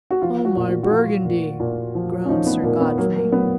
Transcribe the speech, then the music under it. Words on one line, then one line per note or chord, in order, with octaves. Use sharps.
"Oh, my Burgundy!" groaned Sir Godfrey.
F#4
F3 F4
F#4
A#2
F#4
F#4
F3 F4
A#2
A#2
F3
C#4
F3 D#4
B3
A#2 A#3
B3
F#3 A#3
A#3
F#3 B3